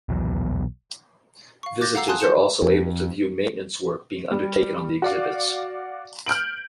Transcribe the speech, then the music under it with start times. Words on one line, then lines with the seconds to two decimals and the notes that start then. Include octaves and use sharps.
Visitors are also able to view maintenance work being undertaken on the exhibits.
0.09 D#1 B1 E2 B2
1.63 F5 C#6
1.81 D6 F#6 G6 A6 A#6
1.95 F5 F#5 A#5 E6 C7
2.08 G#5 A5 C6 D#6 F#6
2.20 C6 G6 C#7 E7
2.62 F2
4.31 G3
5.02 F#4 D5 F5
6.26 F6 G6 D7 F#7